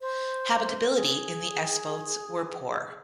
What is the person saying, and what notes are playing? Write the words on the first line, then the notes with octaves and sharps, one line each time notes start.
Habitability in the S-boats were poor.
C5
A#4
G#4